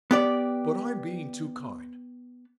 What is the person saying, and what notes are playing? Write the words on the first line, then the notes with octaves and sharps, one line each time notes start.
But I'm being too kind.
B3 G4 D5